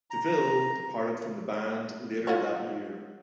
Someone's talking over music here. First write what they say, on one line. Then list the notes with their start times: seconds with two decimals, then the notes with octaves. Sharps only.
DeVille departed from the band later that year.
0.10 A#5
2.27 F4 F#4 C#5